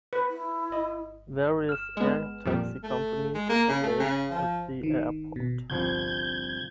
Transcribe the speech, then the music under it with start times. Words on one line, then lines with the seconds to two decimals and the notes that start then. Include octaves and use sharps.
Various air taxi companies are based at the airport.
0.13 B4
0.29 E4
0.72 D#5
1.69 F6 E7
1.97 G#3 B3
2.45 F2 A#2 G3
2.83 A3
3.35 G#3
3.49 A#3
3.69 C#3
3.83 A3
4.00 C#3
4.31 F3
4.83 D#3
5.36 B2
5.70 G1 C2 F3 G6 G#6